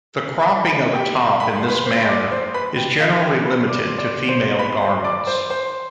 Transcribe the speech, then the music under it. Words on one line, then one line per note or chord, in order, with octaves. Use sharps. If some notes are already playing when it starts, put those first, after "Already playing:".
The cropping of a top in this manner is generally limited to female garments.
G4 G5
B5
C6
B4 B5
C5 C6
D5 D6
C5 C6
B4 B5
G4 G5
F4 F5
G4 G5
B4 B5
D5 D6
C6
D5 D6
C5 C6
B4 B5
C5 C6
D5 D6
C5 C6
C5 C6